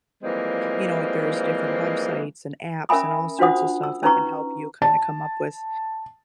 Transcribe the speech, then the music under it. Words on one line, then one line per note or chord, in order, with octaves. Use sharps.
you know, there's different websites, and apps, and all sorts of stuff that can help you kinda come up with
E3 F3 G3 G#3 A#3 C4
C#4 A#4 E5 G#5 B5 D#6
D4 F4 F#4 C5 F#5 D#6
E6
C#4 D#4 B4 A#5 C#6
A5